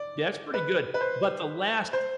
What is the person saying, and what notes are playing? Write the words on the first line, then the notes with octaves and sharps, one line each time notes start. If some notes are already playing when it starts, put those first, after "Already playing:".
Yeah, it's pretty good, but the last
Already playing: D5
B4
B4
C5
C5